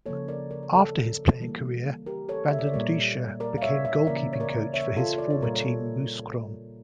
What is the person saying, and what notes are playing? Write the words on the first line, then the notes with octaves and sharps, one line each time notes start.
After his playing career, Vandendriessche became goalkeeping coach for his former team Mouscron.
C#3 F3 A#3 A4 C#5
A#4 D5
A#4 D5
D5
A4 C#5
E3 G3 A#3
G4 A#4
A4 C#5
E5
D5
C#5
A#2 G3 A#3 A#4 D5
A#4 D5
F5
C#5 E5
C#5 E5
C#3 E3 A#3 A#4 D5
C#5
A#4 D5
C#5 E5
F4 A4
D5
C#5
A#2 G3 A#3 A#4
A4 C#5